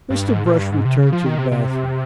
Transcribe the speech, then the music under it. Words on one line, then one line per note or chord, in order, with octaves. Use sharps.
Mr. Brush returned to the bathroom.
G2
G#2
A#2
G2
G#2
C3
C#3
F3
D#3
C3
C3